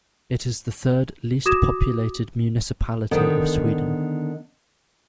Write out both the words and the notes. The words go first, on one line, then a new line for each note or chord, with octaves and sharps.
It is the third least populated municipality of Sweden.
F#4 D6 D#6 G#6 A#6 E7
D3 D#3 B3 C5 F#5